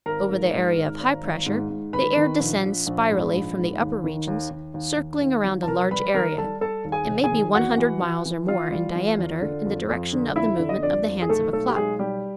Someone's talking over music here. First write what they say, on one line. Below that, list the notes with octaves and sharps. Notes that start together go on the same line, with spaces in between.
Over the area of high pressure the air descends spirally from the upper regions, circling around a large area--it may be one hundred miles or more in diameter--in the direction of the movement of the hands of a clock.
G#1 A#4 A#5
G#2
G#2
G#1
G#1
G#1
G#2
G#2
D#3 B4 B5
D#3
A#1
A#1
A#1
G#2
A#1
G#2
D#2
D#3
D#2
D#2
D#2
D#2
D#2
F#3
A5
F1 A#4 A#5
G3 B4 B5
D#3 A#4 A#5
G3 A4 A5
G3 A4 A5
D#2
G#4 G#5
F1
G#4 G#5
D#3
E2 F#4 F#5
E3
E3
E3
E3 F4 F5
G3
E3
E2
D3
F2
F2
D3
F2 E4 E5
D3 E5
D#5
F2 D4 D5
F2
G#4
B1 A3 A4
B1 A3 A4
G4
B1 G#3 G#4
B1 G3 G4